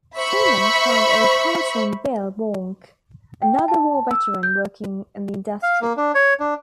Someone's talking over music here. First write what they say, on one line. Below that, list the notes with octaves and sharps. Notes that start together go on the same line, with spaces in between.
Seaman found a partner in Bill Warnke, another war veteran working in the industry.
C5 E5 B5 C#6
G5
A5
E6
G6
F5
A#3
D4
C#5
D4